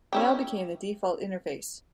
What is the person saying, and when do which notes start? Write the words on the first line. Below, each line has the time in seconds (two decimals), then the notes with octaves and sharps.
Mail became the default interface.
0.13 C#4 E4 G4